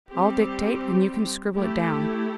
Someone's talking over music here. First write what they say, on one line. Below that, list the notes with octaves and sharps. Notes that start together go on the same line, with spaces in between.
I’ll dictate, and you can scribble it down.
G3 C4 G4
A3 E4 G4